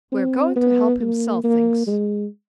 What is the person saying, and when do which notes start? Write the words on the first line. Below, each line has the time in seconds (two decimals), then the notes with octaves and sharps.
"We're going to help him sell things."
0.12 C4
0.56 B3
1.00 A#3
1.44 A#3
1.87 G#3